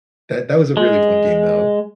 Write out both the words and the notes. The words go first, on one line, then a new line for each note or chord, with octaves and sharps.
that that was a really fun game, though.
G#3